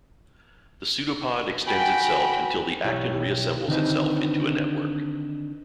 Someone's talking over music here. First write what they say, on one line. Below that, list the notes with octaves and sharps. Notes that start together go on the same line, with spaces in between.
The pseudopod extends itself until the actin reassembles itself into a network.
F#4 G5 G#5 B5
B1 E4 G4 C#5
D3 D#3 C4 D4 D#4 B4